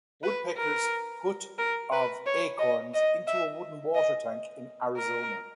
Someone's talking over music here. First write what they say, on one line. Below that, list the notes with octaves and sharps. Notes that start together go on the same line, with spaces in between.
Woodpeckers put of acorns into a wooden water tank in Arizona.
B4
A#4
A#4
B4
C#5
D#5
D#5
E5
D#5
A#4